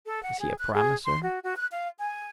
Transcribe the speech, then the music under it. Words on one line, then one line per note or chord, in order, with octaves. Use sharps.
Is he a promiser?
A4
F#5
G#4
F#6
G#4
C6
F#4
F#4
F#6
F5
G#5